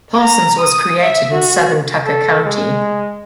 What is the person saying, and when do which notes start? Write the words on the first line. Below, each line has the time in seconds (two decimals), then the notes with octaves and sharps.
Parsons was created in Southern Tucker County.
0.22 A#5
0.59 D#6
1.01 E5
1.33 F#4
2.06 A4
2.45 G#3